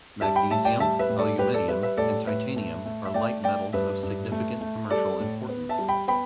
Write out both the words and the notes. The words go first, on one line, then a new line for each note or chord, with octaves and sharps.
Magnesium, aluminium and titanium are light metals of significant commercial importance.
G3 E5 A5
G5 B5
A2 E5 A5
D5 G5
G3 E5 A5
B4 E5
A2
A4 D5
G3 G4 B4
A4 D5
G3 B4 E5
B4 E5
A2 A4 D5
A2 B4 E5
A3
A3
E5
A3 D5 G5
A3 D5 G5
G2 B4 E5
G2
A3
A3
G3 A4 D5
A2
B3
E5 A5
G3
G5 B5
B3 G5 B5